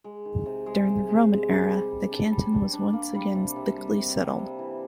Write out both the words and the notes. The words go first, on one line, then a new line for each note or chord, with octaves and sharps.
During the Roman era, the canton was once again thickly settled.
G#3
D#3
C3
G#3
C3
G#3
G#3
C3
G3
G3
D4
G3
D4
D4
A#3
G3
C3
C3
G3
C3
C3
C3
E3